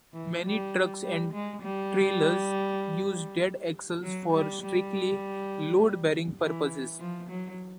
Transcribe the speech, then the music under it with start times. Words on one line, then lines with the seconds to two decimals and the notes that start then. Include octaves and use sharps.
Many trucks and trailers use dead axles for strictly load-bearing purposes.
0.13 E3
0.44 G3
1.03 G3
1.33 G#3
1.62 G3
4.02 F#3
4.32 G3
4.62 G3
6.41 E3
7.00 F3
7.29 F#3